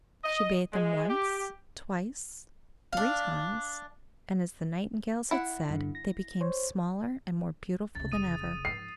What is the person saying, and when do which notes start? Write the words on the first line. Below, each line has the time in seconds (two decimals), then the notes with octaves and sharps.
She bathed them once, twice, three times, and, as the nightingales had said, they became smaller and more beautiful than ever.
0.24 D#5
0.72 G#3
1.09 G4
2.93 D4 F5
5.31 E4 F#5
5.70 G2 D3
5.95 A#6
6.41 C5 C#5
7.95 C#2 C3 A6
8.12 F1 C#3 D#6 D#7
8.65 G#2 F3 C7